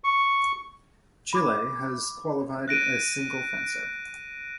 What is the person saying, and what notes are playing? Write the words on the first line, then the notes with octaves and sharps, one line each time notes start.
Chile has qualified a single fencer.
C#6
B5 D6
F#6 A#6 D7 D#7